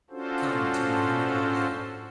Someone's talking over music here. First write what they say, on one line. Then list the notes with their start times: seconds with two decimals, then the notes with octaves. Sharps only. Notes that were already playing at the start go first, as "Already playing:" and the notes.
Come to Muhammad Ali.
0.10 C#4 D4 F4 F#4 A4 C5